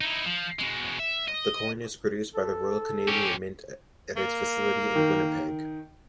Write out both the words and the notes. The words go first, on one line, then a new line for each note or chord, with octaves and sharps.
The coin is produced by the Royal Canadian Mint at its facility in Winnipeg.
D#4 E4
F3
B2 G#3
E5
D#5
A4
C#4 G4
A#3
D#3